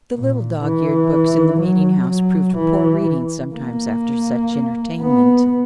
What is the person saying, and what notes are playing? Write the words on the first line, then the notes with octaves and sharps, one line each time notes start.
The little dog-eared books in the meeting-house proved poor reading sometimes after such entertainment.
A#2
E3
F#3
F#3
E3
A#3
B3